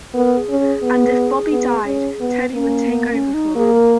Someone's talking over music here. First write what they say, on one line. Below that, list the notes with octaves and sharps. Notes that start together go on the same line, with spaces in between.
And if Bobby died, Teddy would take over for him.
B3 A#4
G#4
C#4
G#4
B3
B3
C#4
B3
A#3 C#4
B3
C#4
D#4
A#3 G#4
A#4